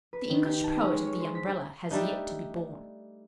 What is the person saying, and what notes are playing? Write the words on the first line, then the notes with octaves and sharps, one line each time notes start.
The English poet of the Umbrella has yet to be born.
B4
D#3
G4
A5
C#4
G#3
C#5
C5
B6
D4
G3 A3 D4 D#4